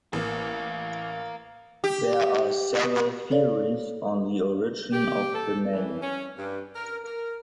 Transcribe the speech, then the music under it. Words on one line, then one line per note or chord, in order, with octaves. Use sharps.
There are several theories on the origin of the name.
A1 A#3 A#4 F5
G4
A4 C#5 D5 F5
G4
A4
E3
C#4
G2
A#4
A#4